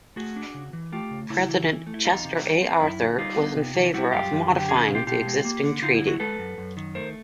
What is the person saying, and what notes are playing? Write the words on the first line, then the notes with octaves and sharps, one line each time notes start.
President Chester A. Arthur was in favor of modifying the existing treaty.
A3 F#4 G#4
D4
C#3
E3
A3 F4 G4
C#3
C#3 E4
E3
E3
A3
E4
E2 D#4 F4
C3
G3
C4
F#2 E4
D3
G3 D#4 F4
B3
C3
E3
G3 E4 F#4
F#2 F4 G4
F#2
D3
G4
C#4 F#4 G#4
B2 G#4
F4 G4
B2 F4 G4
G#3
A#3
D3
D3 D#4 F4
E4
F#3
E4 F#4
G#3 A4 B4
F#2
F#2
D#3
A3 A#4 C5